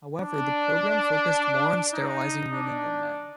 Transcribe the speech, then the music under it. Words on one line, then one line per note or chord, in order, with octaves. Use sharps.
However, the program focused more on sterilizing women than men.
D4
D#4
D4